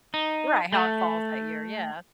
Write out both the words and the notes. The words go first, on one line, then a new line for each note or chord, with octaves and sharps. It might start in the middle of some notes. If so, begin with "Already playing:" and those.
Right, how it falls that year, yeah.
D#4
A3